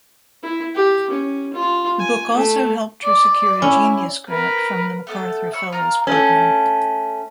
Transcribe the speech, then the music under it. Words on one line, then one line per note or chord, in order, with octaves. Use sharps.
The book also helped her secure a "Genius Grant" from the MacArthur Fellows Program.
E4
G4
C#4
F4
G#5
A3
D5
C#4 E4
A#4 B4
A3 B3 A4
C#5 B5 C#6 E6
F4 A#4 A#5
A3 C#4